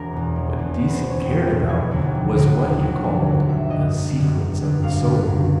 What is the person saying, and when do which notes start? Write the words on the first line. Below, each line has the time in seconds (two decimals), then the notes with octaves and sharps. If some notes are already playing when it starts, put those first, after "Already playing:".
What Deasey cared about was what he called "the secrets of the soul."
Already playing: E1 A#4
0.13 E2 B2
0.36 E1
0.58 E2 B2
0.79 E1 B4
0.95 C5
1.02 E2 B2
1.10 C#5
1.25 E1 G5
1.47 E2 B2
1.69 F1 G#5
1.91 D#2 D3 F#3
2.15 F1
2.35 D#2 D3 F#3
2.58 F1
2.81 D#2 D3 F#3
3.04 F1
3.26 D#2 D3 F#3
3.48 G#1 E5
3.70 F#2 D3 G3 D#5
3.93 G#1
4.15 F#2 D3 G3
4.38 G#1
4.61 F#2 D3 G3
4.83 G#1 F5
5.04 F#2 D3 G3
5.27 C#2